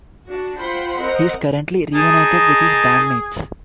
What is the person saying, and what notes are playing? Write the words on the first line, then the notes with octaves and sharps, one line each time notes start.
He is currently reunited with his band-mates.
D4 F#4
F4 C5 F#5 G5 B5 C6
C4 A#4 D#5 F#5
D#4 G#4 A#4 A5